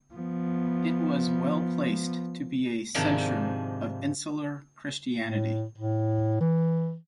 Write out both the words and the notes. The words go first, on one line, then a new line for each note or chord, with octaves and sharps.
It was well placed to be a centre of Insular Christianity.
F3 B3
G#2 C3 D#3 F3 D4 D#4
A2
A2
E3